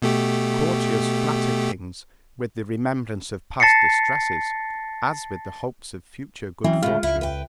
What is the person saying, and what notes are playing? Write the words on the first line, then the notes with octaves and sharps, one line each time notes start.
Courtiers flatter kings with the remembrance of past distresses, as with the hopes of future good fortune.
B2 A3 G4
A5 A6 A#6 C7 C#7
E3 F#3 C4 C#4
D2 A2 G#3 F4
C#2 E4
B4 G5